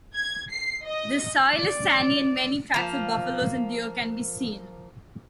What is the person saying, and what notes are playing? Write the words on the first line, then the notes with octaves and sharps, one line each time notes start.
The soil is sandy and many tracks of buffalo and deer can be seen.
G#6
C7
D#5
D5
F3 A#3